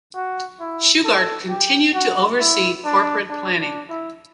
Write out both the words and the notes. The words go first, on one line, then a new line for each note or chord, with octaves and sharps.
Shugart continued to oversee corporate planning.
F#4
E4
A4
G4
F#4
E4
D4
D4
D4
E4